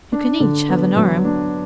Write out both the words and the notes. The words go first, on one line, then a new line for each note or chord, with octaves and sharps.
"You can each have an arm."
D4
D3
B3
F#3
D4